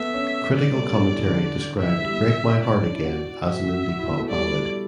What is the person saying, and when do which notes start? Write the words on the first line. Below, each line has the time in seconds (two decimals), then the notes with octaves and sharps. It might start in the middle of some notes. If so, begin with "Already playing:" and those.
Critical commentary described "Break My Heart Again" as an indie pop ballad.
Already playing: A3 B3 E5
0.14 C#4
0.56 D5
0.67 G3
0.74 A3
0.83 B3
0.90 C#4
0.98 D4
1.12 E3
1.25 D3
1.80 E3 E5
2.01 G3
2.12 B3
2.64 D5
2.74 D4
2.84 C#4
2.95 E4
3.05 F#4
3.26 F#4
3.46 F#4 E5
3.67 F#4
3.89 F#4
3.99 E4
4.09 B3
4.19 A3
4.30 G3 D5